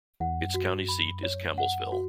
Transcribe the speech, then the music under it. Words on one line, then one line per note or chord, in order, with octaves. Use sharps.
Its county seat is Campbellsville.
E2 F#5
F#2
F#4
G2
F#2 B5
C#5
F#5
F#4